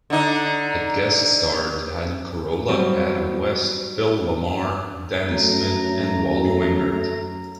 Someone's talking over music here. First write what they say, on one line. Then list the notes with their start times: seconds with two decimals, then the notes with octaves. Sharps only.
It guest starred Adam Carolla, Adam West, Phil LaMarr, Danny Smith, and Wally Wingert.
0.10 D3 D#4
2.68 F#3 G3 C4
5.28 F#2 A3 A#5